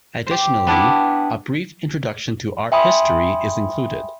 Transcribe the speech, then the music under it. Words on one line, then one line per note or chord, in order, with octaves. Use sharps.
Additionally, a brief introduction to art history is included.
G4 C5
B3 D4 E4 G4
E5 G5 G#5 B5 C6 D#6